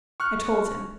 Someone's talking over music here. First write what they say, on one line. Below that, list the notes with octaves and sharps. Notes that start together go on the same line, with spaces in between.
I told him.
C#6 F6 F#6